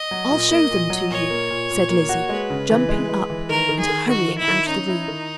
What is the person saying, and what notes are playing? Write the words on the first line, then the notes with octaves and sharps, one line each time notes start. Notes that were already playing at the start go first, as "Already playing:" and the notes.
"I'll show them to you," said Lizzie, jumping up and hurrying out of the room.
Already playing: D#5
F#3
A#2
A#3
A#2
F#3
A#2 C#5
A#3
A#2
A#2
A#3
F#4
G#3 B4
C#3
E3
G#3
G#3
E3
D#3 A#4
D#3
G#4
D#3
D#3 F#4
D#3
E4
D#3
C#4 D#4
E4
D#3